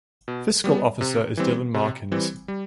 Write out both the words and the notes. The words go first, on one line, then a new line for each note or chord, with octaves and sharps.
Fiscal Officer is Dylan Markins.
B2
G3 B3
C3
E3 G3 C4
C3
E3 G3 C4
G3